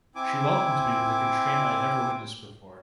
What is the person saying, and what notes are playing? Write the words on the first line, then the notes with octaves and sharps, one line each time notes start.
She welcomed me with a constraint I had never witnessed before.
C4 E4 G#5 D6